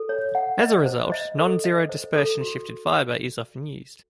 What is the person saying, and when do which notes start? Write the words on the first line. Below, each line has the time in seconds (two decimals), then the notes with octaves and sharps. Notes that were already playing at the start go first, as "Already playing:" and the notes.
As a result, nonzero dispersion shifted fiber is often used.
Already playing: A4
0.09 C#5
0.35 F#5
0.61 D#5
0.86 C5
1.12 D#5
1.38 A4
1.64 D#5
1.89 C5
2.15 A4
2.41 F#4